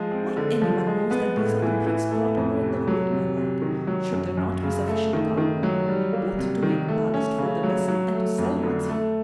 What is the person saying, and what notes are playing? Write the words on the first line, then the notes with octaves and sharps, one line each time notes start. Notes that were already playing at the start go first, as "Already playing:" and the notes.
Why, anyone knows that these are the bricks brought over in the hold, my lad, should there not be sufficient cargo, both to make ballast for the vessel and to sell once here.
Already playing: F3 G#3
C4
D3
F3
G#3
B3
A2
E3
E3
A3
F2
C3
F#3
C3
C3
D#3
F#3
F#2
F#2
C#3
A3
D#3
D#3
F#3
G3
A#3
C3
D#3
A3
C#4
C#3
F#3
F#3
A3
F2
D3
A3